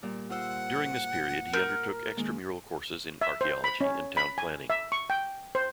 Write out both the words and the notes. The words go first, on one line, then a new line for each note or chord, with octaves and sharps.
During this period he undertook extramural courses in Archaeology and Town Planning.
A#2 G3
F4 C5 F#5 E6
A#4 G6
D#3 G#3 A#3
E5
C5
B5
C#4
B5
G#5
E5
C#6
G5
C5